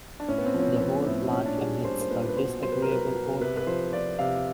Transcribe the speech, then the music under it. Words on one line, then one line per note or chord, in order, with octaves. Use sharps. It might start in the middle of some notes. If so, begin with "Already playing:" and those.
The whole plant emits a disagreeable odour.
D4
A2 C#4
B3
C4
F3 C#4
C4
F3 B3
A2 C4
C4
A#2 C#4
D4
G3 G#4
G3 C5
C5
A#2 B4
B4
B2 C5
F#3 C5
B4
A#4
F#3 B4
B2
C3 B4
B4
F3 C5
F3 D5
C3 F5